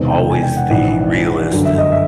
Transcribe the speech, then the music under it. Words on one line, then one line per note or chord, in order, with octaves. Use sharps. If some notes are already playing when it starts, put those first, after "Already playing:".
always the realist and
Already playing: E1 E2 C3 D#3
G5
G#5
G5
F#5
A#1 G#2 E3 F#5
G1 F#2 D3
E5
D#5
E5